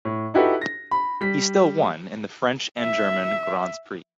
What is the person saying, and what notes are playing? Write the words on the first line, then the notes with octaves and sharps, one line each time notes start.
He still won in the French and German Grands Prix.
A2
D#4 E4 F#4 G4 A4 B4
A#6
B5
G3 B6
E5